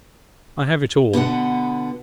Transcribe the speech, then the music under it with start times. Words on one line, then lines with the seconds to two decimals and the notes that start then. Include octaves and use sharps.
I have it all.
1.13 B2 D3 B3 F#5